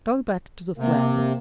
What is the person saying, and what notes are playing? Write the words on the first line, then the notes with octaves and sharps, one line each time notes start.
Go back to the flounder.
C3 A#3